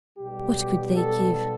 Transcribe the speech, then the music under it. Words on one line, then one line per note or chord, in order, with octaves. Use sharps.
What could they give?
B1 B2 G3 G4
A4